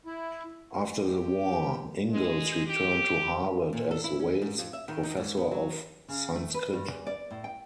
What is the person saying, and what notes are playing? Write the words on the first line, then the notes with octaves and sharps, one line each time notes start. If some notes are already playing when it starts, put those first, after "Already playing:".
After the war, Ingalls returned to Harvard as Wales Professor of Sanskrit.
E4
G4
G#3
G4
A#2
A4
E4
C#4
G#2
F2
E5
D#3
D#4
G#2
B3
F#3
C#3
A3
B4
G2
E2
D5
A2
G5